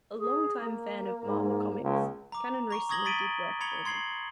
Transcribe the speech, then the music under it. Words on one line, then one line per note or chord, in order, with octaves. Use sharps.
A longtime fan of "Marvel Comics", Cannon recently did work for them.
G#4
A#3
G#2
C#2
A#5 D6
A#5 C#6
C#6 D#6 G#6 A#6 F#7 G7
B5 A6 B6 D7 D#7
B5 G#6 C#7 F7 G7
C6 G#6 C7 F#7